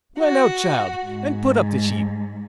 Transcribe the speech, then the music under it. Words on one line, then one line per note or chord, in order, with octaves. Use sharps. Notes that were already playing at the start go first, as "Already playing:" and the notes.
Run out, child, and put up the sheep.'
F#4
G#2